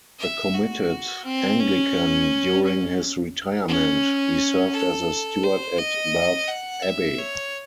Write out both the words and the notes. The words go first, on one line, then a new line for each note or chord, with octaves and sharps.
A committed Anglican, during his retirement he served as a steward at Bath Abbey.
E5
F#4
C4
C#4
C#4
C#4
A4
C5
D#5
F#5
E5
C#5